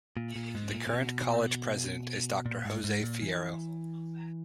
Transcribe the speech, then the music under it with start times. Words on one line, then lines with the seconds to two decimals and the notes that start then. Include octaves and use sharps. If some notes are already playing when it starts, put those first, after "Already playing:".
The current college president is Doctor Jose Fierro.
0.17 A#2
0.36 A#2
0.55 G#2
0.74 A#2
0.87 A#2
0.93 B2
2.46 A#2
2.65 G#2
2.84 G#2
3.03 A#2
3.22 E3